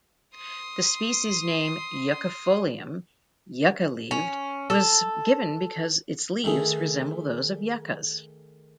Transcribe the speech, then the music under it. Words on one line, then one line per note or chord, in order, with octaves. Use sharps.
The species name "yuccifolium" "yucca-leaved" was given because its leaves resemble those of yuccas.
C6 D#6
C#4
A4
D#3 A3 G#4